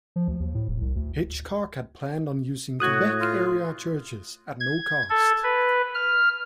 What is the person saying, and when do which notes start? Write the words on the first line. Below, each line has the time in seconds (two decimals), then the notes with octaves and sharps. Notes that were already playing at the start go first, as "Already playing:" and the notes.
Hitchcock had planned on using Quebec-area churches at no cost.
0.16 F3
0.28 D2
0.40 D#2
0.54 A2
0.68 D1
0.81 C2
0.96 D2
2.80 A2 F#4 D#6 F#6 G#6
3.19 F4
4.60 G#6
5.10 A4
5.44 B4
5.94 F6